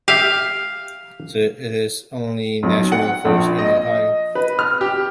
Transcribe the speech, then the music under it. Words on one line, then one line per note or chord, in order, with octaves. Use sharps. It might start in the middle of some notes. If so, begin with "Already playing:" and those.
It is the only national forest in Ohio.
G4 E5 F5
B1
F#5
A#1
D#5
B4
F6
G4